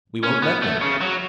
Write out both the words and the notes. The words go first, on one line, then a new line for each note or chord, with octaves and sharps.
We won't let them....
C#4
B3
A3
C#3
F#3